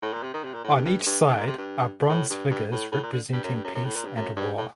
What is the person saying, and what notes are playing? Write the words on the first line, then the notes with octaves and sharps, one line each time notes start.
On each side are bronze figures representing peace and war.
A2
A#2
C3
D#3
C3
A#2
A2
G2
G2
G2
G2
A#2
C3
G2
A2
G2
G2
A2
A2
A#2
D3
G2
F#2
G2
F#2
F#2
A2
A#2
G2
F#2
G2
A2